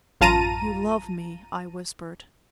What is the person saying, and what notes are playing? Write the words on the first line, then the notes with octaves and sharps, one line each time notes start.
"You love me!" I whispered.
A1 F#2 F4 A5 A#5 D#7